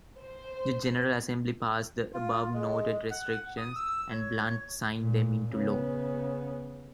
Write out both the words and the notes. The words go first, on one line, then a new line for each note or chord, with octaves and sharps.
The General Assembly passed the above-noted restrictions, and Blunt signed them into law.
C5
F4
G#3
F#5
D#6
E6
C#5
A#2
C#3 B3